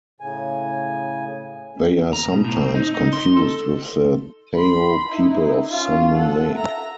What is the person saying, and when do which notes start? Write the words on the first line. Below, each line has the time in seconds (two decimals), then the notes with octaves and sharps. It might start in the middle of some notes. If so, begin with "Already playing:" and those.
They are sometimes confused with the Thao people of Sun Moon Lake.
0.21 A2 C#3 G#5
2.13 A#5
2.32 B2
2.44 A2
2.61 C4
2.75 D#4
2.94 D#4
3.13 C6
3.37 A4
4.55 B5 C6
5.09 D#4 E4
5.71 C#4 F4
6.14 A4 F#5
6.53 E5 A#5